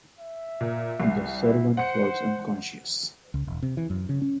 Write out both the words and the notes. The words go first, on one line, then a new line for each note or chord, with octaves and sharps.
The servant falls unconscious.
E5
A#2
C2 C7
E4
C5 F#5 C#7
C#2
E1
C3
E3
F#2
C#3
C#4